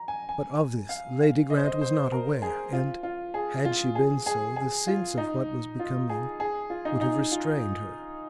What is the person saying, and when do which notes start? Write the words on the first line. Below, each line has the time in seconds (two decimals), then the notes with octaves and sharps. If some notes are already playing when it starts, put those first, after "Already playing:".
But of this Lady Grant was not aware, and, had she been so, the sense of what was becoming would have restrained her.
Already playing: A#5
0.08 G#5
0.29 G#5
0.89 F5
1.21 F5
1.50 D#5
1.57 C5
1.65 D#5
1.81 C5
2.12 A#4
2.42 G#4
2.73 F4
3.03 F4
3.34 G#4
3.65 F4
3.95 G#4
4.26 G#4
4.56 G#4
4.87 F4
5.18 D#4
5.79 F4
6.09 G#4
6.40 G#4
6.70 F4
6.85 D#4
7.01 D#4
7.32 F4